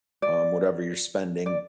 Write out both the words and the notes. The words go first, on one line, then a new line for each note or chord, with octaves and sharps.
um, whatever you're spending,
D5
D5